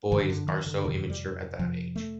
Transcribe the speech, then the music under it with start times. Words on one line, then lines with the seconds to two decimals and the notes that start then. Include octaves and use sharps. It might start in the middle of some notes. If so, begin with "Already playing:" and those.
Boys are so immature at that age.
0.11 G2 D3 D#3
0.30 D3
0.48 D#3
0.66 D3
0.85 F2 C3 D#3
1.10 G3
1.59 F2 C3 F3
1.96 A3